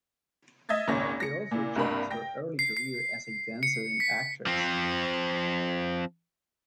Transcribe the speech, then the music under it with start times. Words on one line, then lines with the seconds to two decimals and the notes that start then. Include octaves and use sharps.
It also charts her early career as a dancer and actress.
0.69 D#5 E5 G#6 A6
0.88 G#1 C#2 A#2 C#4 C#5 A#6
1.20 A#6 C#7
1.51 A#2 E4
1.75 C2 G2 A#3 A#4 B5
2.11 G5 A#6
2.59 C7
2.77 C7
3.63 C#7
4.00 B6
4.46 F3 C4